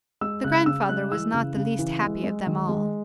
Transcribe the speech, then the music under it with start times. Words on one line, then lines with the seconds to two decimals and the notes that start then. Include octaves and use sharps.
The grandfather was not the least happy of them all.
0.21 G#3 E6
0.44 C#3 F#6
0.66 C#3 E6
0.89 G#3 F#6
1.12 E3 E6
1.34 C#3
1.57 C#3
1.79 E3
2.02 G#3
2.24 G#3
2.47 D#3
2.68 G#3